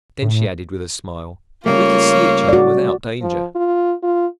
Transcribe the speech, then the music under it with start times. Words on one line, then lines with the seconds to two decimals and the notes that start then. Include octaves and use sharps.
Then she added with a smile: "We could see each other without danger."
0.22 A2
1.66 C#3 G3 A3 A#3 F4 C#5
2.49 F#4 D5
3.21 F3
3.55 F4
4.03 F4